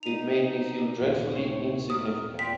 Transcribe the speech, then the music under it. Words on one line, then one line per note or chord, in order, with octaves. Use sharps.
It made me feel dreadfully insignificant.
D#4 D#7 F7
D#1 A#2
A2 C4 C#5
A#4 D#6
E2 A#2 C5 G5 B6